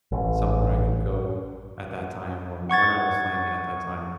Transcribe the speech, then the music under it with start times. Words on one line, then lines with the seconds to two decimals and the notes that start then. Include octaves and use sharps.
somewhere I could go at that time, or when I was playing at that time.
0.12 A1
2.70 F#5 C#6 G#6 A6